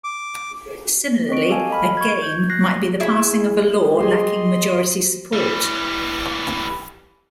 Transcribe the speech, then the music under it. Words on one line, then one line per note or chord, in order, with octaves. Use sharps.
Similarly, a "game" might be the passing of a law lacking majority support.
D6
C4 D#5 C#6 D7
G4 A4 F5 G#5 A5
D#5 B5 F6
C#6 G#6
G6 G#6
F#6 A#6 C7
E4 G#4 E5
G3 G4 G#4 D#5 C6
E3 G3